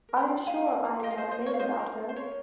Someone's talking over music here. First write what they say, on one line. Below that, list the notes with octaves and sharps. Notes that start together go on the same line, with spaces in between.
I am sure I am not mean about her.
A#4
G5 A#5
F4
F4 F5 G#5
A#4
F4
F5
A#4 D#5 G5
F5
F4 C5 D#5
C5 D#5
A#4 C#5
F5
F4 C5 D#5
A#4
F4
C5
A#4 C#5